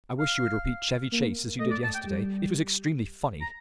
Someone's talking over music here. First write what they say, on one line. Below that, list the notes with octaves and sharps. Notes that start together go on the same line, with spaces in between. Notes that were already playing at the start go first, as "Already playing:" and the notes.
I wish you would repeat Chevy Chase as you did yesterday: it was extremely funny.
F5
A#3
A3 D#5
D5
A5
G5
G3
A#5